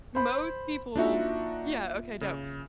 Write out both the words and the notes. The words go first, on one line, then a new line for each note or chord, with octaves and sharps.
most people yeah, okay, dope
C5 B5
A#3 D4 D#4 F4 F#4 E5
C#3